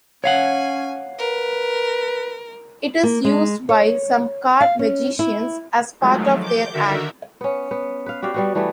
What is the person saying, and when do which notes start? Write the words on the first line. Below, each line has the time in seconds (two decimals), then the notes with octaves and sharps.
It is used by some card magicians as part of their act.
0.24 C#4 C#5 F5 F#5 G#5
1.18 A#4 B4
3.03 A#3
3.24 G#3
3.69 C#5
4.61 F5
4.79 C#4
5.19 E4
6.01 D#3 F3 F#3 G#3 A3
6.42 D6 G6
6.74 D3 D#3 F#4 A#4 E5
7.41 B3 C#4
7.71 B3
8.06 B4 F5
8.22 F#4 G4 D5 F5
8.34 G3 B3 F#4
8.55 E3 G3 A3 B3